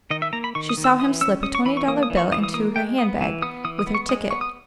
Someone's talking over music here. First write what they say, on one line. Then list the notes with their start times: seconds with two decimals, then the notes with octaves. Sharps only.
She saw him slip a twenty-dollar bill into her handbag with her ticket.
0.11 D#3 D#5
0.22 E5
0.33 A#3 A#5
0.44 B5
0.55 D#3 C#6
0.69 D#6
0.77 D#3
0.84 E6
0.99 E3 D#6
1.21 C#4 E6
1.43 C#4 D#6
1.55 C#6
1.65 E3 B5
1.77 C#6
1.88 A#3 D#6
2.03 D#6
2.10 E3
2.17 C#6
2.32 E3 D#6
2.44 D#6
2.54 A#3 D#6
2.76 G#3 G5
2.98 B3 D#6
3.21 E3
3.42 B3 D#6
3.64 E3 D#6
3.79 D#6
3.87 B3
3.95 C#6
4.09 G#3 D#6
4.31 B3 C#6
4.41 D#6